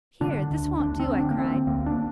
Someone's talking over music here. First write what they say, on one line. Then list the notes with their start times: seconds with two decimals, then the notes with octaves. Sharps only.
'Here, this won't do,' I cried.
0.21 D3 D4
0.51 D2
0.79 D2 D4
0.99 C4
1.08 D3
1.19 D4
1.31 A#3
1.38 D3 C4
1.67 D2 A#3
1.86 D4